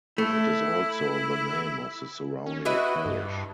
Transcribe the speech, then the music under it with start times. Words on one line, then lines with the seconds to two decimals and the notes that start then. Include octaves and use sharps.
It is also the name of the surrounding parish.
0.18 A3 E4
2.46 C#4
2.65 E4 F#4 B4 D#5
3.06 G2